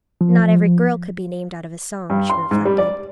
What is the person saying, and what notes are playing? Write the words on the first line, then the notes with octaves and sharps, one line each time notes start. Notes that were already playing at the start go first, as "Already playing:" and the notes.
Not every girl could be named out of a song, she reflected.
F3
G2
C6
G#2
G3
D5